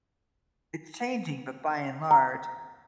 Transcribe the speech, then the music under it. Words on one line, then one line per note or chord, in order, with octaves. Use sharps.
it's changing, but by and large,
A#5